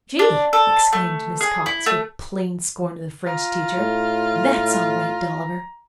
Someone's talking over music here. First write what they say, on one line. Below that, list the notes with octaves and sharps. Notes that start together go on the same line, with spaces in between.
She!" exclaimed Miss Cox, with plain scorn of the French teacher. "That's all right, Dolliver.
D4
A4
A3
G#4
E4
A3
F4 A#5
A2